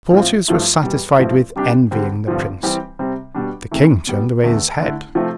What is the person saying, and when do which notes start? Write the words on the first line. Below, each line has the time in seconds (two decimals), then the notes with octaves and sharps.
The courtiers were satisfied with envying the prince.--The king turned away his head.
0.12 A2 F3 C4 F4
0.48 G2 F3 A3 E4
0.83 E2 B2 G3
1.19 G2 F3 A3 C4 E4
1.56 C3 G3 D4 G4
1.91 D3 G3 C4
2.27 G2 D3 F3 C4
2.63 E3 G3 C4 G4
2.99 C3 G3 C4
3.35 B2 G3 D4
3.71 F2 C3 E3 A3
4.07 B2 G3 B3
4.43 E2 D3 A3
4.79 D3 A3 E4
5.15 C3 F3 A3 C4